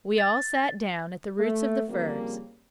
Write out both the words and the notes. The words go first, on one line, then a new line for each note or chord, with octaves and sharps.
We all sat down at the roots of the firs.
A6
A3
C#3 F3 G3 A#3 C4